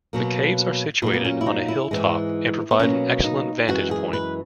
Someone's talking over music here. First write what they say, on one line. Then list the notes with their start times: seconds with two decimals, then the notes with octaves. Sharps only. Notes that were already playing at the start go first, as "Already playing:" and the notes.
The caves are situated on a hilltop and provide an excellent vantage point.
0.13 B2 F#3 A#3
1.02 A#2 F#3 A#3 B3
1.14 B3
1.25 C#4
1.41 E4
1.46 D#4
1.68 E4
1.91 G#2 E3 G#3
2.71 B3
2.80 B2 F#3 A#3 C#4
3.24 D#4
3.68 F#2 E3 G#3 F#4
3.91 G#4
4.13 B4